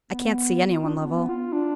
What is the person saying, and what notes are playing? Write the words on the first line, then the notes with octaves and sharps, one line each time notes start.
I can't see any one, Lovell.
B3
F4
D4
C#4
B3
F4
D4